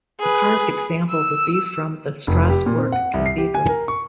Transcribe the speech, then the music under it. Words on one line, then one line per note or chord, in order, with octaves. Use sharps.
A carved example would be from the Strasbourg Cathedral.
G#4 B4
E6
F1
G4
A#2
C4
F#5
C2
C7
G4
G#5
A#4
C#6